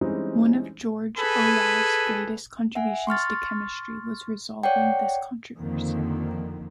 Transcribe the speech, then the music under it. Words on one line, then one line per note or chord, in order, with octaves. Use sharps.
One of George Olah's greatest contributions to chemistry was resolving this controversy.
E3 G3 G#3 C4 C#4 D#4
G#4 A4 B4 G#5 B5
E5 F#5 G#5
C6 C#6 F6 A6
C#5 D5 F#5 G5
F2 D3 D#3 F3 A#3